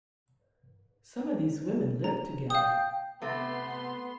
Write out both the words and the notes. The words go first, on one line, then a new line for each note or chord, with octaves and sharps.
Some of these women lived together.
A#5
F5 G5 D#6
C3 A3 B3 C6